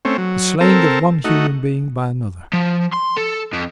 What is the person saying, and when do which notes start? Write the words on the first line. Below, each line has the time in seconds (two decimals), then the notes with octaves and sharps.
The slaying of one human being by another.
0.05 A3 C4 C#4
0.18 F#3
0.61 C4 A4 A#4
1.25 A3 D#4 F#4
2.53 F3
2.93 C6
3.16 A4
3.53 F2